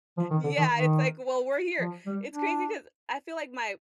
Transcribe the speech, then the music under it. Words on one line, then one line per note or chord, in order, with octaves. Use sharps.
Yeah, it's like, "Well, we're here," It's crazy 'cause I feel like my
F3
D#3
D3
D#3
D#3
F3
G3
D4